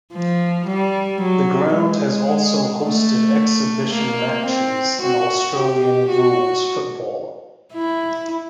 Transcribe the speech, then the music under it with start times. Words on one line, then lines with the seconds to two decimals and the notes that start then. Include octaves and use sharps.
The ground has also hosted exhibition matches in Australian rules football.
0.13 F3
0.67 G3
1.21 F#3
1.76 G#3
2.84 A3
3.93 A#3
4.47 C4
5.02 F#4
5.55 G4
6.10 F#4
7.74 E4